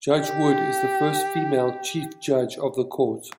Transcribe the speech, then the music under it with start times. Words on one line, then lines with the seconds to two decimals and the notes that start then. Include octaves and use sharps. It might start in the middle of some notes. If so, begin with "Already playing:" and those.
Judge Wood is the first female chief judge of the court.
0.12 G4